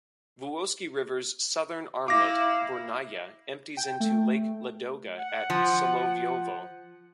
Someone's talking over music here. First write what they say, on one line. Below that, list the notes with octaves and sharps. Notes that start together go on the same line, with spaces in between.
Vuoksi River's southern armlet Burnaya empties into Lake Ladoga at Solovyovo.
E4 F5 D6 A#6
G5
A3
F#5
F3